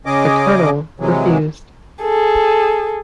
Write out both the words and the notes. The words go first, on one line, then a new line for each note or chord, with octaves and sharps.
The colonel refused.
C#3 C#4 G#4 D#5 D6
C3 E3 F#3 G#3
G#4 A4